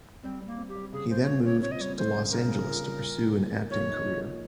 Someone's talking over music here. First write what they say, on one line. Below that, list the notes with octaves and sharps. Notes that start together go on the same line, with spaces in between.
He then moved to Los Angeles to pursue an acting career.
G3 C4
G3
A#3
C4
G4
G3
C#3 G#4
C#3 C5
C5
C4 C#5
F4 C#5
C4 C#5
D#5
G3 C#5
C4 C5
C#3
C#3 A#4
C#3
F4
G3
A#2
A#3
A#3
A#3
F3 C#5
D#4
F3
A#3